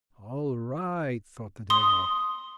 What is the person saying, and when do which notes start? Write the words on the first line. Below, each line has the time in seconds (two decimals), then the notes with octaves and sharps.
"All right," thought the Devil.
1.70 C6 D#6